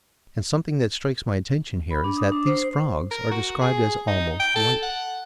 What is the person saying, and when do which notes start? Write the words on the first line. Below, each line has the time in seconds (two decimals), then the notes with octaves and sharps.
And something that strikes my attention here is that these frogs are described as almost white.
1.91 B5
2.04 D4
2.17 D#6
2.32 D4
2.46 C5
3.11 A#4
3.31 F#4
3.61 G#4
4.08 D#4
4.40 G5
4.56 A4
4.83 F#5